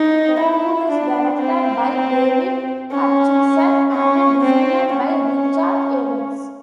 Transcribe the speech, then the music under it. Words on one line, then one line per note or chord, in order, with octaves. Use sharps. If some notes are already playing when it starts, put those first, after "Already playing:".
The tour is directed by David Hutchinson and designed by Richard Evans.
Already playing: D#4
E4
D4
C4
C#4
C#4
C4
C#4